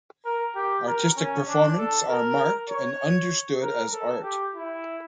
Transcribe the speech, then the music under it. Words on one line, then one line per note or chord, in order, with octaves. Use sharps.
Artistic Performance are marked and understood as art.
A#4
G4
A#4
C#4
D4
A4
A#4
C#5
A#4
A4
G4
E4